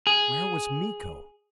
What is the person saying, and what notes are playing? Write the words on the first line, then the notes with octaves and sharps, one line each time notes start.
Where was Miko?
G#4